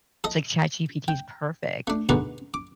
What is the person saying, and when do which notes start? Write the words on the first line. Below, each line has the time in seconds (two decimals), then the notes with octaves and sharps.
it's like ChatGPT is perfect.
0.24 A4 D#5
1.08 G5
1.87 A3 D4
2.09 G2 B2 D3 G#3 B3 D#4
2.54 D6